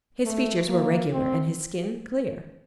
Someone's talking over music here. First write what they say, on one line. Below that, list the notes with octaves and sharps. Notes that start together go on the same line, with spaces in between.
His features were regular and his skin clear.
A3
A#3
C4